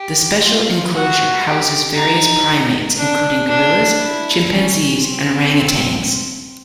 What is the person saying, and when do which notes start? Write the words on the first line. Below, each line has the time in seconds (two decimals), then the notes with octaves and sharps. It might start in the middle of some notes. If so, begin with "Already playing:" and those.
The special enclosure houses various primates, including gorillas, chimpanzees and orangutans.
Already playing: G4
0.43 F4
0.94 F#4
1.44 G4
1.95 D#4
2.97 D4
3.48 D4
3.99 E4
4.49 C#4
5.00 C4